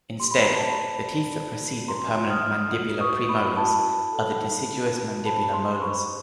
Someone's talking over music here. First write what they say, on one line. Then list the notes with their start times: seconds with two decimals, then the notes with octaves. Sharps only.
Instead, the teeth that precede the permanent mandibular premolars are the deciduous mandibular molars.
0.20 G4 C6
0.31 B5
0.43 G4 A#5
0.55 A5 B5
0.76 C5
1.04 D5
1.32 D5
1.61 F#4
1.88 F4 A#5 C6
2.16 F4
2.30 D#6 F6
2.45 D5
2.72 F#4
3.00 B4 C#6 D#6
3.29 F#4 B5 C#6
3.56 E4 A5 B5
3.85 E4
4.13 A4
4.41 D#4
4.69 D#4
4.97 B4
5.25 C5 A5 B5
5.53 G4 A#5 C6
5.81 C5 B5 C#6